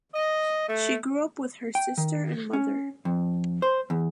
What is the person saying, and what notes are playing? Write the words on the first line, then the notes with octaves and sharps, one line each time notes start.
She grew up with her sister and mother.
D#5
A3
G5
D#3
C#4
F2
C5
E2